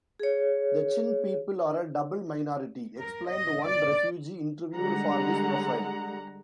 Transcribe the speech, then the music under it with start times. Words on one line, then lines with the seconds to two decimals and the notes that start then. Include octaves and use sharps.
"The Chin people are a double minority" explained one refugee interviewed for this profile.
0.20 G#4 C#5
3.00 A#4
3.30 D#5
3.66 D5
4.75 D3 G3 G#3 F#5 A#5